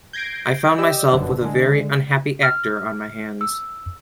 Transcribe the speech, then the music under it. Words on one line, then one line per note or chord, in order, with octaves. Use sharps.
I found myself with a very unhappy actor on my hands.
G6 G#6 A#6 C7 D7
G4 D5 D#5 E6
G1 F#2 B2 D3
D3 G#3
F6
E6